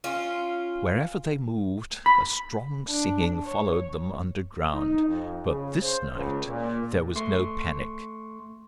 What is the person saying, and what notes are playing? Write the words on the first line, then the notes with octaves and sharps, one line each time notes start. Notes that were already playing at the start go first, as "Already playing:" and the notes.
Wherever they moved a strong singing followed them underground, but this night there was no panic.
C#4 F4
B5
D4
C#5
D#4
F2
C#3
C5
C#2
A#2
A3 C6 C#6